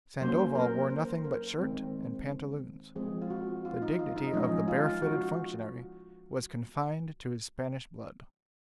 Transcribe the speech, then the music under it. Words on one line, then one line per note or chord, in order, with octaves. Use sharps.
Sandoval wore nothing but shirt and pantaloons; the dignity of the barefooted functionary was confined to his Spanish blood.
F#3 A#3 C#4 C5
A#4
C5
A#4
D#3 G#3 C4
F3 G#3 C4 G#4
F4
F#4
F4
D#4
F4
D#4
F3 G#3 C#4 D#4
F4
F#4